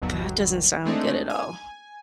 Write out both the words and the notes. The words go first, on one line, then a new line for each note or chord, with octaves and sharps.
That doesn't sound good at all.
G1 D#2 B2 F#3 G3
G#3 A3 C4 D4 D#4
G#5